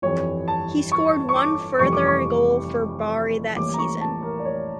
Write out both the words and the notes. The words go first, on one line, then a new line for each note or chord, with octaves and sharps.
He scored one further goal for Bari that season.
G1 F2 E3 G3 C#5
A5
C#6
C#6
D6
F1 F2 E3 G3 C#6
D6
C#6
A1 A2 E3 G3 A#3 D6
A#5
C#6
A5
A#4
D5
C#5